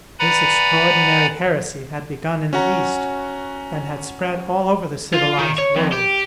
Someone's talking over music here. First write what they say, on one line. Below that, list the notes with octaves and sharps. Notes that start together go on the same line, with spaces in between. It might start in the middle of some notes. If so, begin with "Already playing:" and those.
This extraordinary heresy had begun in the East, and had spread all over the civilized world.
B4 D5 F#5 G#5 A#5 B5
C#4 F#4 F#5 A#5
F4
D#3
C#5
F2
G4